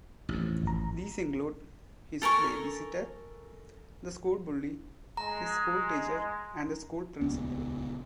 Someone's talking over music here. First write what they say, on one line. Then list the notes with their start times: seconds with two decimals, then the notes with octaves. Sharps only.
These include his babysitter, the school bully, his school teacher and the school principal.
0.29 A1 F2
0.63 G#1 A#5
2.22 A4 A#4 G#5 C#6
5.17 G#3 A#5
7.21 D#1 C#2 B3